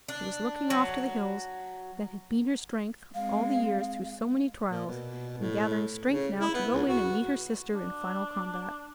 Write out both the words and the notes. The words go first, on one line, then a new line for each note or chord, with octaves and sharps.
She was looking off to the hills that had been her strength all the years through so many trials, and gathering strength now to go in and meet her sister in final combat.
D4
F#3
G#3 C4 F5
A#2
B2
A2
C#3
E4
B3
C#2
F#4
D4